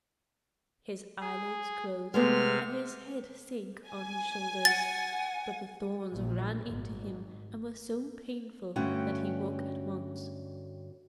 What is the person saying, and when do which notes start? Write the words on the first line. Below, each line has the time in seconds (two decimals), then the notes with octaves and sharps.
His eyelids closed, and his head sank on his shoulders, but the thorns ran into him and were so painful that he awoke at once.
1.20 G#4
2.14 C3 G#3 A3 B3 F6
3.88 G#5
4.65 F#5 A6
6.11 A#1
6.65 G#1
8.76 G2 D3 A3 C#4 F#4 G5